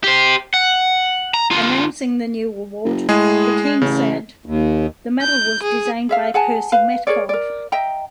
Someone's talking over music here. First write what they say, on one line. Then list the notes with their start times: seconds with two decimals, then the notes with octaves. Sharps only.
Announcing the new award, the King said: The medal was designed by Percy Metcalfe.
0.04 G4 C5
0.54 F#5
1.34 A#5
1.51 D3 F4
2.84 F#1
3.09 A2 G#3 G#4
3.82 A1 C#3
4.46 D#2
5.21 G6
5.63 G#4
6.09 G#4 E5 F5
6.34 G#4 F#5 G#5 A5
6.72 B4 F5
7.07 G#4 A#4 C#5 D5
7.29 A#4 D5
7.72 D#5 E5 G5 A#5